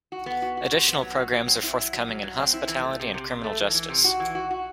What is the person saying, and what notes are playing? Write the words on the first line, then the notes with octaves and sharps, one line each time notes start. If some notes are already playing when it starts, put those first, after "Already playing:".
Additional programs are forthcoming in Hospitality and Criminal Justice.
F#4
B3
F#4
F#4
C3
B3
F#3
F#4
F#3
C4
E4
F#3
F#3
F#3
F#3
C4
E4
E3
A3
C3
C3
C3
A3
E3
E3
C3
F#4
E3
F#4
F#4